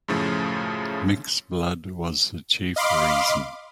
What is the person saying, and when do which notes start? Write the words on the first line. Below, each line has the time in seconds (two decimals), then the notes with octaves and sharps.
Mixed blood was the chief reason.
0.08 F#2 A2 C#3 F3 A3
2.76 D#5 F5 B5 C6 D6